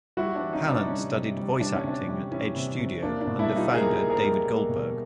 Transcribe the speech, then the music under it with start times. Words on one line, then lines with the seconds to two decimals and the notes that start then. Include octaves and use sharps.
Palant studied voice acting at Edge Studio, under founder David Goldberg.
0.17 G3 E4 F#4
0.35 D4 E4
0.41 E3
0.52 C#4 D#4
0.65 C3
0.71 D4
0.88 G3 C#4
1.13 C3
1.37 G3
1.60 G3 D4
1.74 C#4
1.84 C3 D4
2.08 G3
2.31 E3 C#4
2.56 C3
2.79 C3
3.02 A#3 D4
3.21 D4
3.27 B2
3.39 D4 E4
3.51 G3
3.56 D#4 F4
3.74 A#3 G#4 A#4
3.98 A#3
4.10 G#4 A#4
4.22 G3
4.46 A#3
4.69 B2